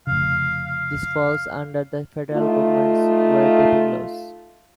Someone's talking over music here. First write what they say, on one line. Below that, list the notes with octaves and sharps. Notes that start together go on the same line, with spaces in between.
This falls under the federal government's 'wire tapping' laws.
F1 C#3 F5
F5
A3 D#4 F4